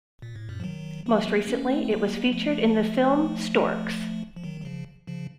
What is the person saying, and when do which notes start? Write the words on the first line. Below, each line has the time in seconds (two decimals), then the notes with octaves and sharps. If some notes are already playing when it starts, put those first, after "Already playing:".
Most recently, it was featured in the film, "Storks".
0.22 A#2
0.35 A2
0.49 F#2 A#2
0.60 F3
0.64 D#3 F#3
1.06 F3 A3
1.28 F#3 A#3
1.48 A#3 C#4
1.69 A3 C4
1.84 C4
1.91 F#3 A#3
2.33 F3 A3
4.36 F3
4.44 D#3 F#3
4.61 F#3
4.65 C#3 F3
5.07 C#3 F3